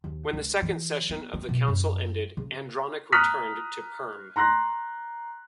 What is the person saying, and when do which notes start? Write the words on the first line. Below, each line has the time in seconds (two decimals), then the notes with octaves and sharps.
When the second session of the Council ended, Andronic returned to Perm.
0.04 D#2
0.33 C#2
0.62 E3
1.10 B3
1.34 C4
1.49 B2
1.68 F#2
2.37 C#3
3.12 A#5 D#6 F6 F#6 B6
4.36 A#5 C6 F#6 A#6